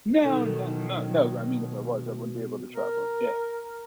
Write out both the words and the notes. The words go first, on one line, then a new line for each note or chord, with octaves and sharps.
No, no, no, no, I mean, if I was, I wouldn't be able to travel. Yeah.
B2 D#3 F#3 D#4 A4
A#4